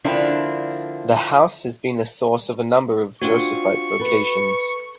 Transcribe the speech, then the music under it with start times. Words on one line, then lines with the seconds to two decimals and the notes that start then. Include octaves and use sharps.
The house has been the source of a number of Josephite vocations.
0.04 D3 F3 A#3 C4 D4 E4
3.22 C4 D4 F4 F#4 C#6
4.00 A4 B4